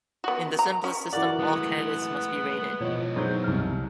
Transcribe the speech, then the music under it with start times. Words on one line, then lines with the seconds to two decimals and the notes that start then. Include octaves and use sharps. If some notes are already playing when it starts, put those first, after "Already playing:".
In the simplest system, all candidates must be rated.
0.24 B3 F#4
0.59 A#5
0.84 C#4
1.13 E3 F#4 A#4 D5 F#5
1.39 G#3 A3 B3
2.81 B2 E3 F3 C#5 D#5
3.16 F#3 G#3 D#4 C5 G6
3.44 C2 F6